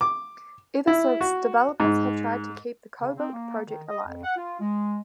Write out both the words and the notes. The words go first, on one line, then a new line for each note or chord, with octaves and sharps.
Ever since developers have tried to keep the Cobalt project alive.
D6
E4
F#4
G#2
C#3
C4
A#3
D#3
D#5
F2
F#5
F4
G#3